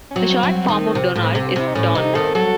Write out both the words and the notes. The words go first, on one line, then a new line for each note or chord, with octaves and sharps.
A short form of "Donald" is "Don".
C#4
F#3 C4
F#3
D#3
C3
A2
C3
C3 E4
D#4
A2 C#4
C3 D#4
D#3 A4
F#3 A4